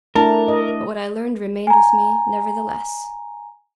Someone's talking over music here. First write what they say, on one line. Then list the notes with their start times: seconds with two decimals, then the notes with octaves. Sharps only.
But what I learned remained with me, nevertheless.
0.16 A3 D4 E4 A#4 A5
0.48 D#5
1.67 G#5 A#5